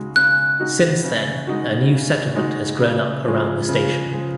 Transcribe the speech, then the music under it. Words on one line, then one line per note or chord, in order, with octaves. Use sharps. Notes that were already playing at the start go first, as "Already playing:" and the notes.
Since then, a new settlement has grown up around the station.
Already playing: C#3 G#3 D#4 F#4
C#3 F#6
G#3 D#4 F#4
C#3
G#3 D#4 F#4
C#3
G#3 D#4 F#4
C#3
F3 G#3
C#3
F3 G#3